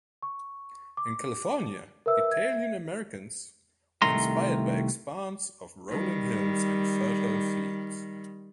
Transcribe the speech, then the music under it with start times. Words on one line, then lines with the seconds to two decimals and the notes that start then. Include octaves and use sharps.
In California, Italian-Americans were inspired by expanse of rolling hills and fertile fields.
0.22 C#6
0.97 D6
2.06 A#4 B4 E5 E6
2.32 E5 G#6
4.02 C2 D#3 A3 A#5 C6
5.89 D#3 G3